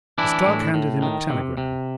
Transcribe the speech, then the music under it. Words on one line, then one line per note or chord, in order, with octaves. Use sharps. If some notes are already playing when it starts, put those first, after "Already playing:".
His clerk handed him a telegram.
E3 D4 E4
A2
A2
D#3
C3
C3